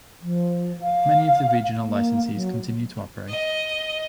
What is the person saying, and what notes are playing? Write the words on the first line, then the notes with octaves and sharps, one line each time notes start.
Many of the regional licensees continue to operate.
F3
F5
A#3
F#3
D#5